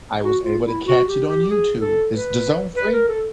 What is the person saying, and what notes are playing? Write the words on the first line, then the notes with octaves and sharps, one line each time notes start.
I was able to catch it on YouTube. Is DAZN free?
F#4
F4
E4
F#4
G4
G4
G#4
A4
B4
B4
A#4
A4